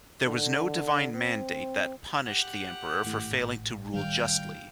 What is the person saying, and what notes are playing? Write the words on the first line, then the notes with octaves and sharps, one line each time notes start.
There was no divine mandate that punished the emperor for failing to rule justly.
D3
C4
G4 F#5
G#1 A2
D#3 G3 F5 G5